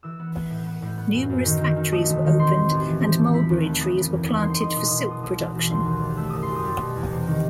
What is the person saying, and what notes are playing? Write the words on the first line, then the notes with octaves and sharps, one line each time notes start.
Numerous factories were opened and mulberry trees were planted for silk production.
E3 E6
B3
B3
A2
B3
A2
B3
F#2
F#2
D#3
D#3
D#3
A3 D#6
E1
D#3
C4 C6
C4
A1
E3
C4
A3
E4 B5
D#2
A3
E3 D#6
F#1
E2
D#4 D#6
D#4 C6
C6
D#4 D#6
B2 D#6
B2 D#6
C6
B2 D#6
B1 D#6
E3
B1
D#2 C6
D#2
G3
A3 E6
F#1 D#6
C6
F#2
D#6
G3
B2
E2
C3
D#3